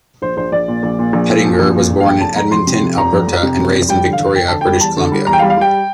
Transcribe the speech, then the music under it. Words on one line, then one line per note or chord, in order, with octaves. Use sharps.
Pettinger was born in Edmonton, Alberta and raised in Victoria, British Columbia.
A#1 C5
A#1 C5
A#1 D5
A#2
A#1
A#2
A#1
A#2
F3
A#1
A#2
A#1
F5
F2 G5
F1 A5
F2 A#5
F1 C6
C3
F2
F1 A#5
F2
F2
C3
F2
F1
G3 G5
D3
F5
F1
F1 G5
D3 A5
G3 G5
E2 A5
D3
G3
E2 A#5
G5
F5
G3
F5
G3 G5